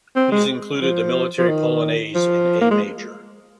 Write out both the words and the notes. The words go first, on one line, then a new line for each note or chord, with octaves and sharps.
These included the "Military Polonaise" in A major.
C4
G#3
F3
F3
D#3
F3
A#3
G#3